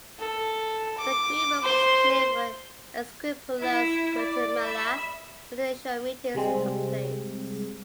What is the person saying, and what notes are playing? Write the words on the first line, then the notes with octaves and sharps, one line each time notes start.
The agreement was named for Esquipulas, Guatemala, where the initial meetings took place.
A4
D6
C5 C6
E4 E5
D5
E5 B5
C3 G3 G#3 C4